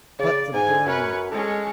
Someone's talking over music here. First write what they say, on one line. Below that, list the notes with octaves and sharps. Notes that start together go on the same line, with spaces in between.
But the burning!
C#3 D5
G#2 G#5
F#2 C#4 B4
G#3 C#4 A4